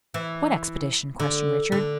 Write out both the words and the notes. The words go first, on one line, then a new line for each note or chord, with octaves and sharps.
"What expedition?" questioned Richard.
E3
D3
D3